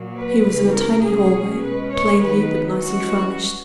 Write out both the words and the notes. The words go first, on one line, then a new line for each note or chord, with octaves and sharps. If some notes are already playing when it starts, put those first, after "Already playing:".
He was in a tiny hallway, plainly but nicely furnished.
Already playing: A#2 F#3 A#3
B4
C#3 E3 B3
A#4
B2 F#3 C#4 G#4
B2 G#3 C#4 B4
C#5
D#3 F#3 B3 B4
E3 G#3 C#4 F#4